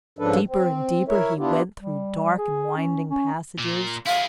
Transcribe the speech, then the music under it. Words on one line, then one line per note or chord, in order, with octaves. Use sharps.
Deeper and deeper he went through dark and winding passages.
G#2 C#3 F3 D4 A4 B4
C4
E4 A#4 C#5 E5
B3 D4 E4 F4 G4
G3
G#4
C#4
C#4
A#2
E4 G#4 F5